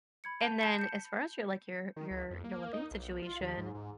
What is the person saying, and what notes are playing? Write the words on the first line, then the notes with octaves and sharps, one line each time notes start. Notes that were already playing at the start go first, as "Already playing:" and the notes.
and, then, as far as your, like, your your your living situation,
B5 G#6 C#7
A5 G6 D#7 F7
A5 B5 G6 C7 E7
G6 C#7
D#3
C#2
F2
A#3
D#4
B1
F4
D#2
G#2
G#2